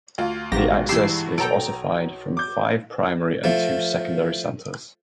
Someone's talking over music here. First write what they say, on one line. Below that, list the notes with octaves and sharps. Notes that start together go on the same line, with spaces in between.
The axis is ossified from five primary and two secondary centers.
D2 F4
A1 G#2 B2 G4 A#6
G2 E3 G4 E6 C7
B1 A4 G5 A#5 D7
D6 G6
F3 A3